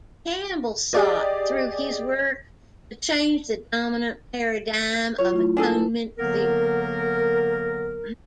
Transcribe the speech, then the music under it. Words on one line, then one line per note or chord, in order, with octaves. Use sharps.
Campbell sought, through his work, to change the dominant paradigm of atonement theory.
G4 G#4 D5 D#5
F#3 F4 F#4 C#5
A3 E4 F4
D4 G#4 A4
E4 B4
D3 F#3 A#3 B3 A#4